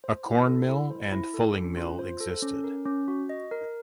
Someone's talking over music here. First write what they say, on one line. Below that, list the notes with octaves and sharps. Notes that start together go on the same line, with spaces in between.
A corn mill and fulling mill existed.
C5
E4
A4
E4
C5
E4
A4
C#4
F4
C5
A4
C#4
A#4
C#4
F#4
D#5
A#4